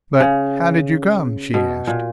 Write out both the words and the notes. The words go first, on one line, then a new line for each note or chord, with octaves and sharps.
"But how did you come?" she asked.
C#3
B2
A#2